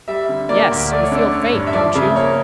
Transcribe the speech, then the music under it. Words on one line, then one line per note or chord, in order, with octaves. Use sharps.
"Yes; you feel faint, don't you?"
G3 E5
D3
A#3 D5
D2
A3 D5
C#5
D3 D5
C#4
G2
E5
F3 D5
C#3 E5
A#3 C#5